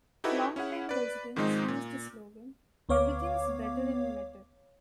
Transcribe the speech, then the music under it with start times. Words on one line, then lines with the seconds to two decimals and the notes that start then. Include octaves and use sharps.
Longtime residents use the slogan "Everything's Better in Metter".
0.24 D#4 E4 F#4 G4 A4 B4
0.56 C#4 E4 G#4 F#5
0.89 B4 D5
1.36 G#2 D#3 F3 G#3 C4 D#4
1.68 A#2
2.89 D2 B3 C#5 F5 D6